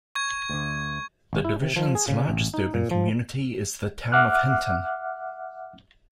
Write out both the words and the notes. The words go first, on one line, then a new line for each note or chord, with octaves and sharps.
The division's largest urban community is the Town of Hinton.
C#6 G#6
D2 D3
G#1
E4
C3
F3
G#4
C#3
A1
D#4
A#2
F3
E5 F#5 D6 F6 F#6